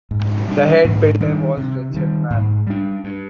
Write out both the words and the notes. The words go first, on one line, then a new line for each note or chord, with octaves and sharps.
The head builder was Richard Marrone.
G#2
G3 D4
G#2
D#3 G3 D4
C3
D#3 G3
G#2
G3 D4
G2